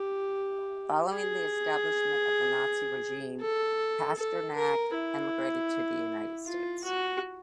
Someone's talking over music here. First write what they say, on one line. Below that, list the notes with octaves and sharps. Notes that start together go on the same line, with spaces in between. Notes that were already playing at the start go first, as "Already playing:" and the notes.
Following the establishment of the Nazi regime, Pasternak emigrated to the United States.
Already playing: G4
G#4
A4
A4
A#4
E4
F4
F#4